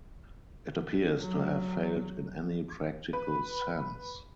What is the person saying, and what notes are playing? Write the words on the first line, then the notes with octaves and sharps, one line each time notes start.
It appears to have failed in any practical sense.
F#3
B4